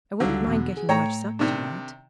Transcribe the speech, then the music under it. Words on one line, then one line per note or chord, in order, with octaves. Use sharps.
I wouldn't mind getting much supper tonight.
C#2 D3 F#3 G3 F5
E2 B2
G#4
A2 A3 C#5 G5 A#5
C3 D#3 D4